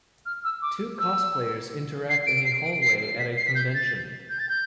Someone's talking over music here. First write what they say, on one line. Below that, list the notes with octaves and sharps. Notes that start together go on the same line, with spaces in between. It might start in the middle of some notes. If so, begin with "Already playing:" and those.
Two cosplayers interact in a hallway at a convention.
F6
E6
D6
E6
C7
D7
C7
D7
C7
B6
C7
B6
G6
A6
G6
A6
G6